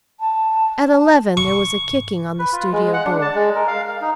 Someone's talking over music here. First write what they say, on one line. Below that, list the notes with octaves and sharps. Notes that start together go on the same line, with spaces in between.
At eleven there was a kicking on the studio door.
A5
C#6
B4
F4
G#3
F#5
D4
A5
G#3
A#4
F5
F5
D#4